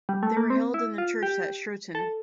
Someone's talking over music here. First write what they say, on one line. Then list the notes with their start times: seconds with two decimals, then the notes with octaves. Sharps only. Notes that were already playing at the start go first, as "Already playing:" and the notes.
They were held in the church at Shroton.
0.09 G3
0.23 A3
0.37 A#3
0.50 C4
0.74 E4
0.98 F4
1.23 G4
1.95 A4